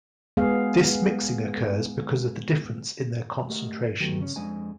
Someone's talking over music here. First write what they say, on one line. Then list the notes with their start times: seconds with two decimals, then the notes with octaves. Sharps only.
This mixing occurs because of the difference in their concentrations.
0.37 G#3 B3 G#4 F5
3.50 A3 G4 A#4 D#5 F#5
4.00 E2 D#3 F#3 A3 B3 G4
4.20 C#3 C#4 C#5
4.36 F2 G#3 D4 C5 D#5 G#5